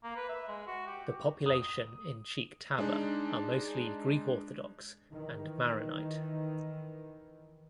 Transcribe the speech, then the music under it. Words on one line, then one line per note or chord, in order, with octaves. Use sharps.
The population in Cheikh Taba are mostly Greek Orthodox and Maronite.
A#3
B4
E5
G#3
F#4
G4
D#6
G#3 D4 D#4
D#3 E3